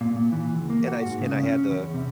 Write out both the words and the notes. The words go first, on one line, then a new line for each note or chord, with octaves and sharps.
and I s and I had to
A#2
A#2
E3
C#2
A#3
F#4
G#2
C#3
C#4
E2
C3